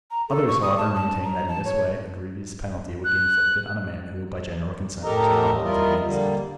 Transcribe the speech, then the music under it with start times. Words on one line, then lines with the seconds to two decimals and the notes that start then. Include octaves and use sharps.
Others, however, maintained that in this way a grievous penalty would be inflicted on a man who, by general consent, was now held to be innocent.
0.11 A#5
0.29 A4
0.48 C#6
0.62 D#6
0.78 A5
0.95 A5
1.24 A#5
1.48 A5
1.65 C#5
3.05 F#6
5.04 A2 G4 A4 A#4 D#5 A#5
5.63 G3 E4 F4 A#4 D#5
6.04 D3 G3 A#3